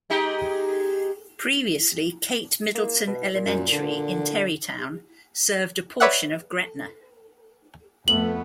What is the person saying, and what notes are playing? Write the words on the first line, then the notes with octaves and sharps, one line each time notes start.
Previously Kate Middleton Elementary in Terrytown served a portion of Gretna.
G#3 D#4 G4
A#3
B2
A#2
F#2
D3
B4 C#5 D5 E5 F#5 F#6
F2 A3 B3 F#7